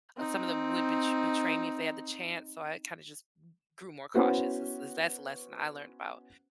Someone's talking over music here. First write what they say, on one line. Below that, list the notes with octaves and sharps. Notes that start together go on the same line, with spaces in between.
some of them would bet betray me if they had the chance. So I kinda just g grew more cautious is, is that's the lesson I learned about
C4 D#4
B3 C#4 E4 F#4 B4 C5